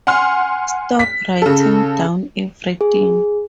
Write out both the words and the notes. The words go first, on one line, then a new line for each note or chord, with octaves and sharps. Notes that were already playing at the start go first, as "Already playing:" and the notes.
Stop writing down everything!
F#5 G#5 C6 F6
B6
C#3 A4
G#4